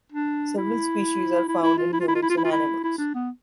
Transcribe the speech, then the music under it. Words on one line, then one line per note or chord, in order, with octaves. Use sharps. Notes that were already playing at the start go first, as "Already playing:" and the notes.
Several species are found in humans and animals.
D4
E4
E4
E4
F4
E4
F4
E4
F4
E4
F4
E4
F4
E4
E4
D4
B3